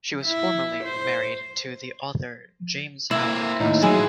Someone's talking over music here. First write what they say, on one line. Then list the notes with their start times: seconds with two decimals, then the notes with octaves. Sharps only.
She was formerly married to the author James Howard Kunstler.
0.24 E4
0.84 C5
3.11 A#3 C4 E4
3.60 D#2 A2 D#4
3.82 E3 F#3 G#3 E4 G#4